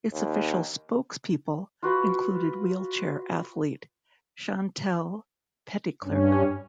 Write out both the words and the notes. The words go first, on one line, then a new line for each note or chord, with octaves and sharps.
Its official spokespeople included wheelchair athlete Chantal Petitclerc.
D#2
F4 F#4 B4
G2 C#4